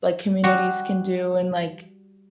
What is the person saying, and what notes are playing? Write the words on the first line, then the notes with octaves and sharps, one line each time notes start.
like, communities can do and, like,
G3 F#4